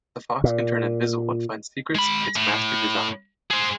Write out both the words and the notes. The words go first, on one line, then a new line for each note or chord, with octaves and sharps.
The fox can turn invisible and find secrets its master desires.
A#2
G#3 B5
A2
G#4 C5